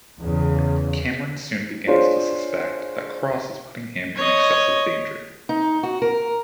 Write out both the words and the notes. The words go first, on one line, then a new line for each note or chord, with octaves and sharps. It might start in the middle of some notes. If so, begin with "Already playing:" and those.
Cameron soon begins to suspect that Cross is putting him in excessive danger.
E2 C#3
D4 F4 G#4 C5 C#5
C#5 D#5
D#4
F#4
A#4